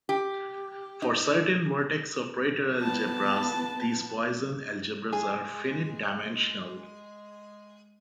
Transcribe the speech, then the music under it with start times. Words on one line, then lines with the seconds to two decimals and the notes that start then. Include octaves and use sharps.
For certain vertex operator algebras, these Poisson algebras are finite-dimensional.
0.09 G4
1.02 D#4
2.80 B3 A5
5.13 G#3 G#4